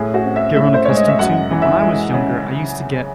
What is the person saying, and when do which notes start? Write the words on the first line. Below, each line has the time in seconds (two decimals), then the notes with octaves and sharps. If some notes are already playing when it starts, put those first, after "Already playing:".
given accustomed to, but when I was younger, I used to get
Already playing: A2 G#4
0.14 F#4
0.25 C4
0.36 E5
0.56 A2 E5
0.74 C5
0.85 G#3 C#5
0.97 D#5
1.08 E5
1.19 F#2 F#5
1.51 E3
1.62 E5
1.82 G#3
2.13 C#3